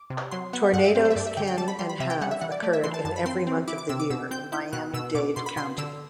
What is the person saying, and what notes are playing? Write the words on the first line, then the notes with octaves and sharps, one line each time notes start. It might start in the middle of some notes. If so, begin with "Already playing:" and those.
Tornadoes can and have occurred in every month of the year in Miami-Dade County.
Already playing: D6
C3
F#3 C6
B3 F#5
G2 F#5
E5
C4 C5
C5
E5
G2 D5
E5
D3 G5
G5
G3 A5
B5
G3 C6
B5
C3 E5
G5
G3 F#5
E5
E3 F#5
D5
A3 D5
E5
E3 C6
A5
F#2 A5
B5
C4 C6
C4
E4 D6
D6
C3 E6
D6
B2 E6
C4 G6
E4 G6
B2 F#6
B2 E6
B2 D6
B2 C6
B5
B2 C6
D3 E6